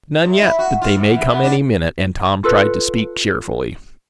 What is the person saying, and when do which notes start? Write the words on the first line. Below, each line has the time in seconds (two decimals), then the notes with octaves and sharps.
"None yet, but they may come any minute," and Tom tried to speak cheerfully.
0.25 F#2
0.41 E4
0.59 F#4
0.82 F4
0.96 G#2
1.11 E3
1.29 B3
1.43 D4
2.44 F4 A4 B4